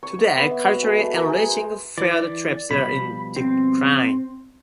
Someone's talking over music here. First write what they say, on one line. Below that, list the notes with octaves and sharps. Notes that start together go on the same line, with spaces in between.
Today, culturally enriching field trips are in decline.
C#5
D6
B3
E5
F#4
G#3
A3
A#4
G#4
C5
E3 D5
B2 F3 G3 B5
C4